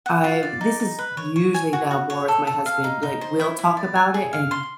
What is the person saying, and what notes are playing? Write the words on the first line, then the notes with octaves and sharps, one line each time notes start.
I've this is usually now more with my husband, like, we'll talk about it, and
F#5
F4
D5
D#4
D#4
B4
C#5
C#5
G#5
F#4
F#4
C#5
A4
A4
F5
D#4
D#4
C5
E4
E4
D5
G#5
G#4
F5
C6